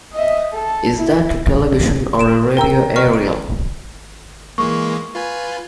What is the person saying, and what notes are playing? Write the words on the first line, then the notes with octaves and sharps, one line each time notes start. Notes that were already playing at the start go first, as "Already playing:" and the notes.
Is that a television or a radio aerial?
D#5 E5
A4
E4
D7 E7
A#4 G5 A#5 E6
D#5 C#6 F6
D7
E3 G#3 A#3 C#6
F4 B4 G#5